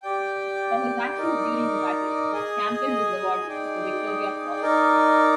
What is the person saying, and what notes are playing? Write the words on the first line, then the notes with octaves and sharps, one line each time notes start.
For his actions during the battle, Campbell was awarded the Victoria Cross.
G4 D5 G5
D#4 A#4 D5
G#4 D#5 G#5
D#4 G#4 D5 G5
D#4 A#4 D5